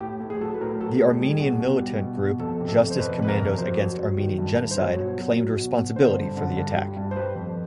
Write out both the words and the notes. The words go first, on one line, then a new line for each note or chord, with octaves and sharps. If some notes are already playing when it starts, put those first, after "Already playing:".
The Armenian militant group, Justice Commandos Against Armenian Genocide, claimed responsibility for the attack.
A2 G4
A2
G#4
F#3 A4
B4
A2 A#4
F#3 A4
A2 G#4
G3 G#4
B2
B2
G3
B2
B2
F2 A4
C3
A4
F2
C5
F2 B4
C3 B4
A#4
F2
F#3 C5
F#3
F#3
D#3
G2
G2
C5
F#3 C#5
B2
F#3
F#3
B2
B2
D3 C5
G2
D3
G2
G3
G2
C5
G3 B4
F2